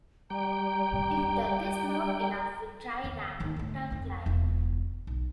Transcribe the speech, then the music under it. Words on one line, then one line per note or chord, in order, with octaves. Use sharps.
If that is not enough will try Rampant Lion.
G3 G5 A#5
D2 B3
D#2 D#4
D3 A3
F1 C4
E1 C#2
B1